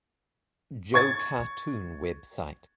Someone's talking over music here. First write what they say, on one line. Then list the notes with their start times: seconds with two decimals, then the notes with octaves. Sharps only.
Joe Cartoon Website.
0.94 C#6 G#6 A6